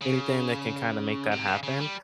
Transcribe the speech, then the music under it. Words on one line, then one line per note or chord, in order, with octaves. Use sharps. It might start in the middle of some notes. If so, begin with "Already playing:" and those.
anything that can kinda make that happen.
C#3
C3
C#3
C#3
G3